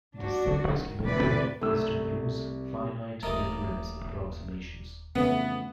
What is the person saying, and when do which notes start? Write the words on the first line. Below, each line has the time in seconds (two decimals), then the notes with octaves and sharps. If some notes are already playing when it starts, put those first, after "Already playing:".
The simplest method is to use finite difference approximations.
0.17 D4 F#4
0.65 D#3
1.06 D2 A2 C3 E3 B4 D5
1.61 C2 A3 E6
3.23 D#1 D#2 E3 A3 A#4 D5 D#5
5.15 F2 C#3 E3 A3 B3